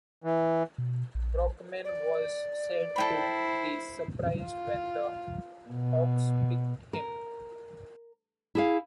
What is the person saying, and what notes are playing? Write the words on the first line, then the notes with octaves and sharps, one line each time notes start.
Brockman was said to be surprised when the Hawks picked him.
E3
B2
A#1
D5
E4 A4 C5 G5 B5
F4
B2
A#4
E4 G#4 F5